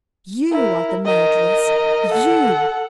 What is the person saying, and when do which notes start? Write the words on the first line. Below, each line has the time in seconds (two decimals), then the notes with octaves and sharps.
You are the murderess--you!
0.52 E4 A#4
1.05 A#4 D#5
2.09 A4 F#5